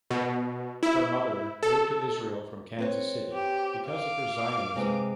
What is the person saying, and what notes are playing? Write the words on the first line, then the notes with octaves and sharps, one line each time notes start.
Her mother moved to Israel from Kansas City because of her Zionism.
B2
E4
A4
C4 B4 C#5
G4
F5 D6
C3 G#3 B4